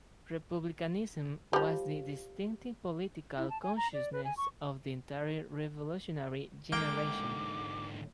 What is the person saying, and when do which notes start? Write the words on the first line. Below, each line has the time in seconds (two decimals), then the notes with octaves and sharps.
Republicanism was the distinctive political consciousness of the entire Revolutionary generation.
1.53 F3 G3
3.38 E4
3.50 A5
3.63 G#5
3.77 A#5
3.93 D5
4.13 B4
4.25 G#5
4.37 C#6
6.72 G#2 D3 A#3 G5 D6